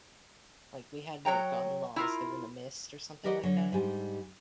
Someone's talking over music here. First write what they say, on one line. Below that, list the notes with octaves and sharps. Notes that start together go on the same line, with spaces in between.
like, we had better gun laws, they wouldn't have missed," or something like that,
F#3 C#5 G5 A#5
E4 F4 A#4
G4 A#4 B4 D5 D#5 F#5
D3 F#3 C#5
G#2 G3 D4 G4 G#5